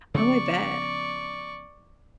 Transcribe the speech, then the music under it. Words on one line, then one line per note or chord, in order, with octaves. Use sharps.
Oh, I bet.
C#3 F3 B3 D5 C#6